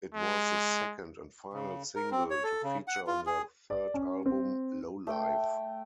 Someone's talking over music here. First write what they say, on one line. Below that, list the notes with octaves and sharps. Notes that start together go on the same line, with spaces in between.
It was the second and final single to feature on their third album, "Low-Life".
G#3
C#3
A#4
C4
C#5
A4
C#3
F#5
F4
G#4
D5
C#4
C4
A3 G5